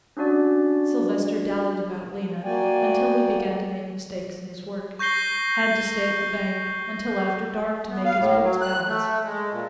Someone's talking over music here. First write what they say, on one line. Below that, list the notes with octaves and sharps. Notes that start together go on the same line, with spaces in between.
Sylvester dallied about Lena until he began to make mistakes in his work; had to stay at the bank until after dark to make his books balance.
C#4 D4 F#4 D5
A#3 F#4 D5 G5 G#5
C#6 G6 A#6 C7 G7
B3
F5
A2
F#3
F#6
A3
G#3
A#2